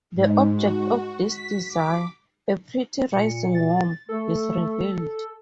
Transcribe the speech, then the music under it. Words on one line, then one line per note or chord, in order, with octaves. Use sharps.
The object of his desire, "A pretty rising womb", is revealed.
G#2
F#4
B6
D6
A#2 C#7
A6
A3 A4